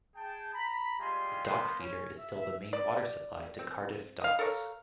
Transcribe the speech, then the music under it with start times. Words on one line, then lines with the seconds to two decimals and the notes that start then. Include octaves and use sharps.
The dock feeder is still the main water supply to Cardiff Docks.
0.16 G#4 G5 A5
0.54 A#5 B5
0.99 G3 G#3 F4 G4 G#5 C6
1.45 A#3 B3 B4 C5 C6
1.79 C#4
2.17 E5
2.73 D5
3.59 C4
4.21 D#5 F5
4.39 A4 A#4 C#5 F5